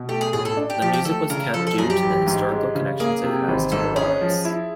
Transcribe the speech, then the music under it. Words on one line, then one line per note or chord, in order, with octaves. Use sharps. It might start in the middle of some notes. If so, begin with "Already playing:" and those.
The music was kept due to the historical connections it has to Belarus.
Already playing: B2
A3 G4
G#4
A2 G#4
A4
D4
G4
F3 G4
G4
A3 A4
C#3 A#4
F3 A4
A4
F#2 G#4
G4
A1
G#2
G#3
C#3
A#3 G#4
C3
G#1
G#2 A4
C#4 G#4
F3
E4